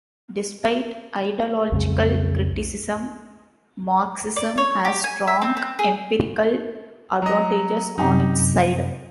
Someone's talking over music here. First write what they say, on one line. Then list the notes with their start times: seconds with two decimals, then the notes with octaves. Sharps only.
Despite ideological criticism, Marxism has strong empirical advantages on its side.
1.72 B1 F2 C#3 G#3
4.36 D5
4.58 C#5
4.85 G4
5.04 G#5
5.27 E5
5.42 C4
5.57 C4
5.79 G#4
7.22 F#3 D#5
7.98 F#2 C3 D#4 G4